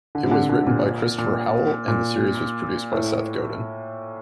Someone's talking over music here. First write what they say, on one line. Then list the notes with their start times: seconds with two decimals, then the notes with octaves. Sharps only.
It was written by Christopher Howell, and the series was produced by Seth Godin.
0.15 D3
0.24 C3
0.31 D3
0.49 D3
0.67 A#2
1.18 A#2
1.88 A#2
2.92 A2